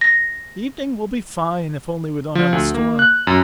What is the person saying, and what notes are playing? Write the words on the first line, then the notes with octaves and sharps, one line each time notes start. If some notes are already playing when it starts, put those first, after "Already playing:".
The evening will be fine, if only we don't have a storm.
A#6
F3
D2
A#3
F#6
F#2